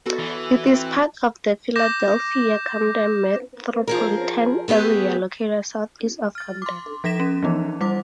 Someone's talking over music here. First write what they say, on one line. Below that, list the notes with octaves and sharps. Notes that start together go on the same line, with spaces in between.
It is part of the Philadelphia-Camden metropolitan area, located southeast of Camden.
B3 F#4 A4
E3
C4
D6 G6 A#6 E7
F3 G#4 A#4
A3 B3 G4 G#4
F6 A6
C6 D6
F3 A4 A#6 B6 E7
C#4
E3 F3 B3 D#4
G3 C5 D6